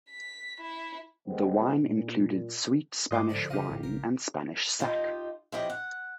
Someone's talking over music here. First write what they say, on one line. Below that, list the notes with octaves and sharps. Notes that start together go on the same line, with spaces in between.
The wine included sweet Spanish wine and Spanish sack.
B6
E4
D3 G3 G#3 B3 C4
A#2
G#2 G#3 D#5 C6 D6
D3 F3 D4
F2 C#3 F4 G4 D#5
A1 D3
A#1 C#3 A#4
D#4 F4 G4 D#5
F3 C4 E4 G4 C#5 D#5
F#5